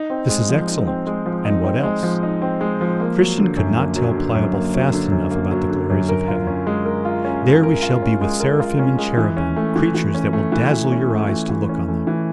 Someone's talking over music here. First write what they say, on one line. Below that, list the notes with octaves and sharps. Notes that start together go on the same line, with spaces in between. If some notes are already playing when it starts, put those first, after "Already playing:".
This is excellent; and what else?' Christian could not tell Pliable fast enough about the glories of heaven. 'There we shall be with seraphim and cherubim, creatures that will dazzle your eyes to look on them.
Already playing: D#4
C4
G#3
F3
D#4
C4
G#3
F3
D#4
C4
G#3
F3
D#4
C4
G#3
F3
A#3
F#3
D3
F#2
A#3
F#3
D3
F#2
A#3
F#3
D3
F#2
A#3
F#3
D3
F#2
A#4
F4
C#4
G#3
A#4
F4
C#4
G#3
A#4
F4
C#4
G#3
A#4
F4
C#4
G#3
E3
C#4
A3
E3
E3
C#4
A3
E3
E3
C#4
A3
E3
E3
C#4
A3
E3